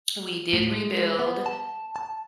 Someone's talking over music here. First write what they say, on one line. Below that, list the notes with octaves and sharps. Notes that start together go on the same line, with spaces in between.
we did rebuild
A2
G#3
B3
A5
A5